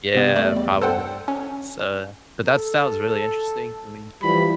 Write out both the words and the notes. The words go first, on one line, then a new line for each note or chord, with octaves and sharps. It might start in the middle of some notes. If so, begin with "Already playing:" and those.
Yeah, probably s uh, but that sounds really interesting, I mean.
C3 B3
A3 D5
E2 G3
A4 C5 F#5 G5
C#4
A4
E3 F3 G3 B5